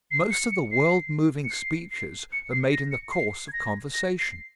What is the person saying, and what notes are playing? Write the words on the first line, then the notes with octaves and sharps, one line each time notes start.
Most of the world-moving speeches are made in the course of conversation.
C7
C#7
C#7
C7
C#7
C7
C7
C#7
C7
A#6
C#7
C7
G#6
A#6
A#6
C7